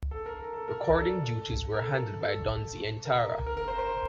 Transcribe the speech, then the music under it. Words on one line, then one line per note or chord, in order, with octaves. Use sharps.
Recording duties were handled by Don Zientara.
A4
A#4
A4
A4
A#4
D5
A4
A#4
A4
A4
A#4
A#4
A#4
C5
C5